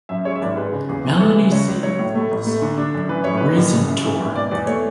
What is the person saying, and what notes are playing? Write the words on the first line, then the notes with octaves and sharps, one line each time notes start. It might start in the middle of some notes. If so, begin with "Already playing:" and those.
Melanie C performed the song during the Reason Tour.
F#2 E5
G#3 C#5
E5
G#1 D5
G#3 B4
C#3
E2 G#4
E2
E3 A4
C#3
C#2 C#5
C#2
F#3 C#5
A2
A3
A1
A3
D3
D4
F#2
E3 B4
F#2 C#5
F#1 B4
F#1
C#3
F#2
E3
G#1
B2 D5
E2 D5
A3 C#5